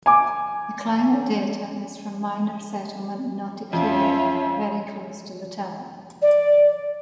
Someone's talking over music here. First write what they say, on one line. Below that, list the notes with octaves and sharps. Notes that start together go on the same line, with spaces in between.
The climate data is from minor settlement Notikewin very close to the town.
G#5 D6
F2 C#4 F4 E5
D5